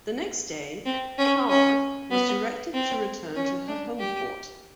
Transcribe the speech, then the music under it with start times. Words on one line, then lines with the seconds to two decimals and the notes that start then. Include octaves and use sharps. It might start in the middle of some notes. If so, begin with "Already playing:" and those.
The next day, "Carr" was directed to return to her homeport.
0.85 C4
1.18 C#4
1.49 C#4
2.11 B3
2.74 C4
3.36 C#4
3.68 D4
3.99 G4